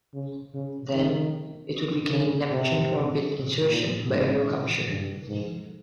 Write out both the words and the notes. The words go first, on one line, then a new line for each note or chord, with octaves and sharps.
Then, it would begin Neptune orbit insertion by aerocapture.
C#3
C#3
D#3
C#3
C3
A#2
G#2
G2
G#2